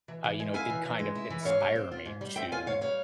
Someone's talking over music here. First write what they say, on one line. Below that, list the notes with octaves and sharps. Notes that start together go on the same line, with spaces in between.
uh, you know, it did kind of inspire me to
E3
E3
G#3
E4 F5 G#5
E3
E3
G#3
E4
E3
G#2 C#5 F5
G3
C4
F4
G#2
G3
C4 E5 G5
F4 F5 G#5
G#2 C#5 F5
G3 C#5 F5